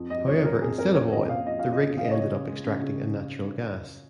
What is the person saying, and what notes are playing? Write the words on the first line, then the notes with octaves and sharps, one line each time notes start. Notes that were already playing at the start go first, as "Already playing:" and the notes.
However instead of oil, the rig ended up extracting a natural gas.
Already playing: F2
F2 D#5
G#3 C#5
F3 A#4
F2 G#4
F2 A#4
C#4 C#5
A#2 D#5
A#3 F5
F3 D#5
C#4 F5
D#5
A#2
C#3 F5
D#5
C#5
C#3 D#5
C#4
G#3
C#3
C#3